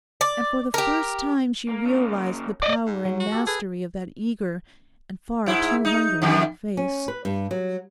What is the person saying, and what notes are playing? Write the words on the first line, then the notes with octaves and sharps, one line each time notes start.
And for the first time she realised the power and mastery of that eager and far too hungry face.
D5
G4 A#4
A#3
C#3 A#3
D5 D#5
G#2
F#3
F#4
G4 A4
G#4 A4 B4
G#2 E4
D#4
F2 D#3
C#4
B4
G2
F#3